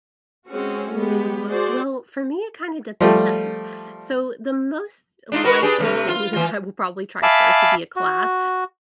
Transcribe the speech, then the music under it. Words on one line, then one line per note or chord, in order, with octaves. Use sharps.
Oh, wel well, for me, it kinda depends. So, the most likely thing that I will probably try first, would be a class,
G#3 C4 C#4 F#4 G#4
G#3 B3 G4
F#4 G#4 C5 D5
F3 G3 A3
D4 D#4 F4
F#4 A#4 B4
D4 G4 G#4
C3 F#3 A3
F4
E3 F4
E5 F5 G#5 A5 B5 D6
F#4